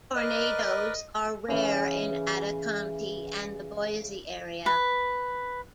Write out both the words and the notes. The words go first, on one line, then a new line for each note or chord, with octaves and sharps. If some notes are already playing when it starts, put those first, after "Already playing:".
Tornadoes are rare in Ada County and the Boise area.
A#4 B4 D5 D#5
C#3 E3 C#4
B4